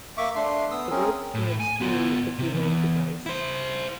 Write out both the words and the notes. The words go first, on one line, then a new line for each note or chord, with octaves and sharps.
The rope threads through the belay device.
A#3 E5 C#6 D6
A3 D4 C6
B3 D#6 E6
C4 C#4 G#4 A#4
A2
G#5
B3 F4
C3
E2
E4 C5